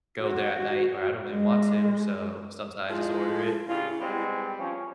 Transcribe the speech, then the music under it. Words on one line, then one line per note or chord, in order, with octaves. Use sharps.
go there at night or I don't really want to, so, sometimes I just order it
F#4
G#3
F3 G#3 E4
G2 C#3 F4
B2 G3 G#3 C4
F3 C#4